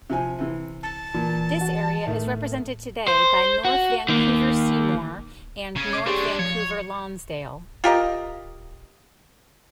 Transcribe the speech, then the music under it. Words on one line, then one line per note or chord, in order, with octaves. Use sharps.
This area is represented today by North Vancouver-Seymour and North Vancouver-Lonsdale.
C3 F3 G#5
C3 E3
A5
A#2 E3
F#4
A2 D#3 A3
C5
F#4
D#3 A#3
C#3 C#4
D6 C7
D4 G4 G#4 C5 C#6
F3 C#5
F4 G4 A#4 D#5